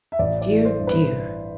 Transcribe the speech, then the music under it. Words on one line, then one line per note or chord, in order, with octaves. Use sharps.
Dear! dear!
E5
A1 D5
D5
E3
C5
G2
B4